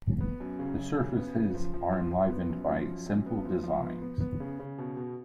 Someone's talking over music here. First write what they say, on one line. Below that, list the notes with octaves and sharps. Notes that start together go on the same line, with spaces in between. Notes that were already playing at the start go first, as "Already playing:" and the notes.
The surfaces are enlivened by simple designs.
B3
F#2
C#3
F#2
C#3
B3
C#3
F3
F3
F3
F3
B3
F#2
F3
F#2
F#2
B3
F3
F3
B3
B3
B3
C#3
C#3
B2
B2